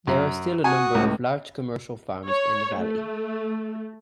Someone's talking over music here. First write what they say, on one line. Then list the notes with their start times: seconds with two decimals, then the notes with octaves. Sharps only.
There are still a number of large commercial farms in the valley.
0.07 F#2
0.64 F#4 G#5 C#6 D#6
0.95 C#2 A2
2.29 C#5
2.77 A3